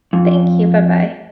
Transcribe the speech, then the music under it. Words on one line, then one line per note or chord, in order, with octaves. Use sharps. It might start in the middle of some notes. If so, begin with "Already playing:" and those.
thank you, bye-bye.
F2